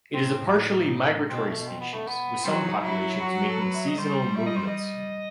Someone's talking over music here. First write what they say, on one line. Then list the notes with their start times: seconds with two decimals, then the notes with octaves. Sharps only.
It is a partially migratory species, with some populations making seasonal movements.
0.13 A2 C4
0.47 E4
0.52 D#4
1.28 B2 C4
1.48 A3
1.67 C4
1.80 B3
1.93 A3
2.07 B3
2.44 F#3 C4
2.63 D#4
2.82 F#3 E4
3.20 F#4
3.49 A4
3.59 B4
3.75 E5
3.86 D#5
3.98 G3 C5
4.36 E5
4.46 D#5
4.56 C5
4.67 D#5